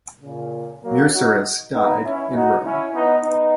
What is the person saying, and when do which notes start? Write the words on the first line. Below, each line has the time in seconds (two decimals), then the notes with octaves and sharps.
Musurus died in Rome.
0.23 A#2 C#3
0.83 F#3 A#3
1.13 D#4 F#4
1.73 B3 D#4
2.03 C#4 E4
2.33 D#4 F#4
2.64 C#4 E4
2.93 B3 D#4
3.24 B3 D#4